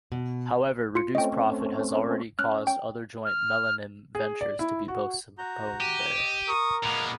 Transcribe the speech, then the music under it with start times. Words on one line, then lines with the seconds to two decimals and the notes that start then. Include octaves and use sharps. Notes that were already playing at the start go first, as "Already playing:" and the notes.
However, reduced profit has already caused other joint melamine ventures to be postponed there.
0.12 B2
0.95 F4 C6 C#7
1.15 A3 C4 C#4 D#5 G5
2.39 C#4 F6 F#6
2.67 G5
3.25 F6
4.15 G#4
4.41 D5
4.59 E4
4.88 F#4
5.38 F#4 A#5 G6
5.81 G4 D#7
6.18 D#5
6.47 A#4 C#6 D#6
6.84 A#2 G#3 A#3 B3 F7